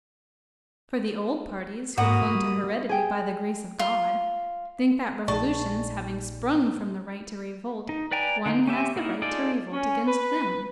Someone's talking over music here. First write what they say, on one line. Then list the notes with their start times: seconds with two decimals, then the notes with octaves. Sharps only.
For the old parties who clung to heredity by the grace of God, think that revolutions, having sprung from the right to revolt, one has the right to revolt against them.
1.98 G#2 A#3 F#4 B5 D#6
2.35 G3
2.89 G#4 G5
3.79 F4
5.28 A#1 A#2 D#4 G#4 D5 G5 A5 C#6
7.89 D#4
8.11 B4 D5 G5 G#5 A#5
8.46 D3 A#3 D#4
8.67 C#4 G4 E5 G#5
8.96 A#3 D#4 E4 A#4
9.22 D#4 F4 G#4 A4 D5
9.71 C#4
10.06 B4